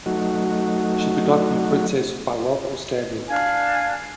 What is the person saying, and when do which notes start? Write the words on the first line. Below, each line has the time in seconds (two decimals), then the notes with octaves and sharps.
She could not be princess by wealth or standing.
0.06 F#3 A3 D#4 F#4
3.28 D4 F5 G#5